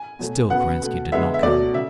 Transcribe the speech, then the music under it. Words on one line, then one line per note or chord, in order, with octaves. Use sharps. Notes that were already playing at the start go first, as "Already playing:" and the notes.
Still Kerensky did not come...
Already playing: G#5
B2 F#3 A3
C#3 F#3 B3 F#5
B2 A3
D3 G#3 B3 E5
E5
B2 F#3 A3 D5
C#3 E5